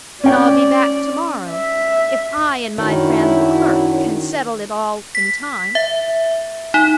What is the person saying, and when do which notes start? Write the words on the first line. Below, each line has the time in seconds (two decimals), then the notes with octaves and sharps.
And I'll be back to-morrow, if I and my friend the clerk can settle it all in time.
0.24 C#4 D5 G5
1.51 E5
2.78 F#2 D#3 C#4 D4 E4 F#4 C#5
5.15 B6
5.75 E5
6.74 D#4